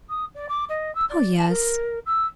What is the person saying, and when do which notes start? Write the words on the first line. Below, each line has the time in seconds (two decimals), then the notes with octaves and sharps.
Oh, yes.
0.09 D#6
0.34 D5
0.48 D6
0.68 D#5
0.95 E6
1.09 D5
1.36 A5
1.49 A#4
2.06 E6